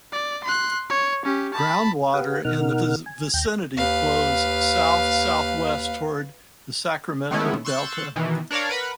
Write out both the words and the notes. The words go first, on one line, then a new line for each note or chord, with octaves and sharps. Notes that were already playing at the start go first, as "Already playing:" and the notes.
Groundwater in the vicinity flows south-southwest toward the Sacramento Delta.
D5
C6 F#6
C#5
C#4 G4
A5 B5
G4 B4 F5 F#5
B2 D#4 A#4 F#5 F6
G#5
D#2 G5 G6 A#6
D#2 B4 F5
D#3 G#3 A3 B3 C#4 E4
C6 C#6 E6 F#6 G6 A6
B2 D#3 E3
D4 A#4 C#5 D5 F5
A#4 B4 F#5 B5